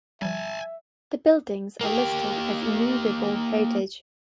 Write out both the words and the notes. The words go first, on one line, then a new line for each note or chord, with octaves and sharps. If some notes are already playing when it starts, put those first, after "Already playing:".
The buildings are listed as immovable heritage.
F3 G3 E5 G#5 A5
A#3 G4